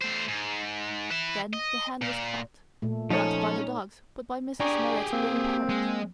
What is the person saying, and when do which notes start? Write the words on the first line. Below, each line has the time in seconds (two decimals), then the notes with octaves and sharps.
Then the hand was caught, not by the dogs, but by Mrs. Merrit's gray parrot.
0.02 A3 C5
0.28 G#2
1.10 B4 E5
1.54 D#5
2.02 A#2
2.82 A#2 A3
3.10 F3 C#4 D#4 A4 C#5
4.60 D4 G4 G#4 G#5 A#5 C#6
5.13 A#3 C4
5.69 G#3